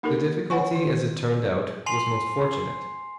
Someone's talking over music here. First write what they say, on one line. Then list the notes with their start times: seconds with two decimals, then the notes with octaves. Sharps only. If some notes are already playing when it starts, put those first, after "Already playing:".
The difficulty as it turned out was most fortunate.
0.03 A#3 D#4 G4 A4 A#4
0.50 C#5 F#5 G#5 C#6
0.75 D#3
1.86 G#5 C6 C7 F7